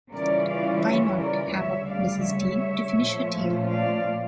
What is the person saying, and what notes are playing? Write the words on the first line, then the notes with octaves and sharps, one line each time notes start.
Why not have up Mrs. Dean to finish her tale?
C#3 E3 G3 C#4 F4 A#4 D5
D5 F5
C#5 E5
A#4 D5
D2 C#3 G3 C#5 E5
D5 F5
C#5 E5
A#2 F3 A3 C#4 F4
D5 F5